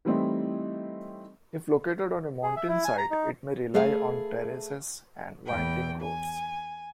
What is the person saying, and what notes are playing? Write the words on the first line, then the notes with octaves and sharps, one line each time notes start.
If located on a mountainside, it may rely on terraces and winding roads.
E3 G3 A3 C4 D#4 E4
G#4
E5
E4
G#5
A#5
D#4
A3 G#4 A4 B4 F5
E2 G5
G#5